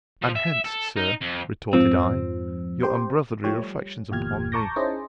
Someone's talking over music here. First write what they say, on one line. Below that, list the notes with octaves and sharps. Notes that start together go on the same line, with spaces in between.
And hence, Sir, retorted I, your unbrotherly reflections upon me?
F3
E5
A4
D#4
F2
F2 G#2 F3 C4
G4 C5
F3 A3 G4 C#5
G3
G1 E2 A#2 G4 F6 G#6
A5 A#5 C#6 D6 G6 A#6
C#4 D#4 E4 G#4 C5 D#5